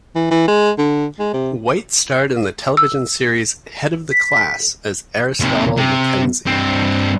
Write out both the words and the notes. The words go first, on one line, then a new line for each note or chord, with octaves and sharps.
White starred in the television series "Head of the Class" as Aristotle McKenzie.
E3
E3
G#3
D3
G#3
C3
E6
B6
D#2 C3
C3
G2 C4